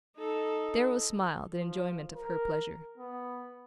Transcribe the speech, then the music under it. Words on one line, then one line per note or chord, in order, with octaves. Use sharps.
Darrow smiled in enjoyment of her pleasure.
D#4 A4
F3
A#4
B3